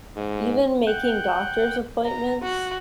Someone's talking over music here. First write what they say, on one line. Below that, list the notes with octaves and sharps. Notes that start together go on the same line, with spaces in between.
even making doctor's appointments.
G#2
F#5 G5
A#5
F#4